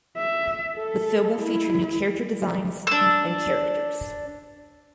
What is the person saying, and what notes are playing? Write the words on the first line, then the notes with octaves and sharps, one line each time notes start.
The film will feature new character designs and characters.
E5
A4
E4
D4 E6